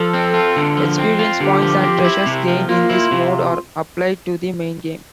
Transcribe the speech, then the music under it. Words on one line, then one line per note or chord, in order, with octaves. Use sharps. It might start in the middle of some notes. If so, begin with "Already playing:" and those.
Experience points and treasures gained in this mode are applied to the main game.
Already playing: F3 A4
C4
F4
D3
F3
C4
F4
D3 G4
F3
C4
E4
C3
F3
A#3 F4
E4
C3